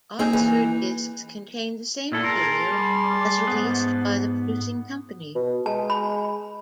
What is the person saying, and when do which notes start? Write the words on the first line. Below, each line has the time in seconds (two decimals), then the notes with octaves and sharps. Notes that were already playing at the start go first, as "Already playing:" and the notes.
Oxford discs contain the same material as released by the producing company.
0.19 A#3 C4 D#4 G#4
0.33 E3
2.12 A#2 E4 A4
2.24 G#4 A#4 A5 C6
2.72 G3
3.47 G#2 B3
5.35 B2
5.66 G#3 A5
5.90 B5